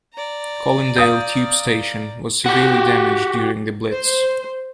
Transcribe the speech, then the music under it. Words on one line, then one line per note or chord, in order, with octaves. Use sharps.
Colindale tube station was severely damaged during The Blitz.
D5 A#5
F5 D#6 G6
F#4 G4
C5